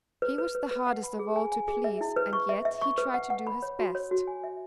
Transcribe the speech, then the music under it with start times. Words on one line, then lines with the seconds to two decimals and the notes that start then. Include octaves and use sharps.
He was the hardest of all to please: and yet he tried to do his best.
0.22 B4
0.38 B4
0.55 B4
0.71 B4
0.87 F#5
1.03 B5
1.19 G#4
1.36 G#5
1.52 G#5
1.68 G#4
1.84 E5
2.01 E4
2.16 B4
2.33 C#6
2.49 E5
2.65 E5
2.81 C#6
2.98 B4
3.14 F#5
3.30 F#5
3.47 B5
3.63 C#5
3.79 F#4
3.95 C#5
4.11 F#4
4.27 G#5
4.44 E5